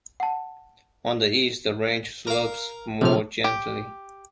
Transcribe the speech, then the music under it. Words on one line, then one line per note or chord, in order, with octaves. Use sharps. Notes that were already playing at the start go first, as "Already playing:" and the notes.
On the east, the range slopes more gently.
F#5 A5
A#4 F5
A#1 C3 F3 F6
G4